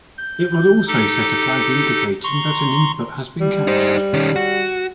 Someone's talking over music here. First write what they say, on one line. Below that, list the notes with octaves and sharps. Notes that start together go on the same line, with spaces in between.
It will also set a flag indicating that an input has been captured.
G6
D#4 G4 A4
A#5 C6 C#6
G3
D#4 C5
D#3 C#4
F#4